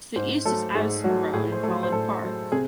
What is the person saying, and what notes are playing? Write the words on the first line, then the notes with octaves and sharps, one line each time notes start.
To the east is Addison Road and Holland Park.
G#2 C5
F#3 A3 A4
G#2 G#4
F#3 A3 F#4
A2 G#4
C5
F#3 A3 A4
C5
A2 A4
F#3 A3
C3 G#4